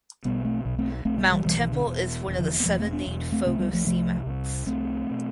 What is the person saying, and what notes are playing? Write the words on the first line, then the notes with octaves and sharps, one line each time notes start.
Mount Temple is one of the seven named Fogo Seamounts.
B1 B2 G3 B3
A3 C4
B1 B2
A3 C4
B1 B2 A3 C4
G3 B3
E3 G3
B1 B2 E3 G3
E3
D3
E1 E2 B2
E1 E2 B2
D3 F3
E3
B3
E1 E2 B2 F3 A3
A3 C4
B3 D4
E1 E2 B2
A3 C4
C2 C3 A3 C4
G3 B3
F3 A3
C2 C3 F3 A3
C2 C3
C2 C3 A3 C4
B2